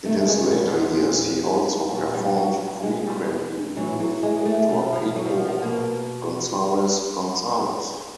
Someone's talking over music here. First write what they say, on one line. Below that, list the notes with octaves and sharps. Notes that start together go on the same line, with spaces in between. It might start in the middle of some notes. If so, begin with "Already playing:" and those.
In his later years he also performed frequently with actor Pedro Gonzalez-Gonzalez.
C3 D#3 A3
G#3
G3
F3
A#2
A#2 F#3
G3
F#3
B2 G#3
G3
A2 E3 F#3
F#3
G#3
A3
B2 A3
F3
F#3
F3
F3
B2 A#3